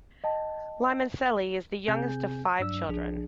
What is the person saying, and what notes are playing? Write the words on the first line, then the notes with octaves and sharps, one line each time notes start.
Limoncelli is the youngest of five children.
D#5 G5 A5
C3 C4 G#4 G#5 G6
G2 F#3 D4 D5 E6
B1 F3 D4 G#4